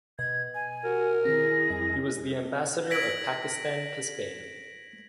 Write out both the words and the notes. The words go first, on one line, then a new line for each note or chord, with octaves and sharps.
He was the ambassador of Pakistan to Spain.
B2 B4 D#5 G#6
G#5
F#4 A#4
D#3 C4 E4 G#4 A#6
F2 G3 D#5
G#6 A#6 B6 D7 F#7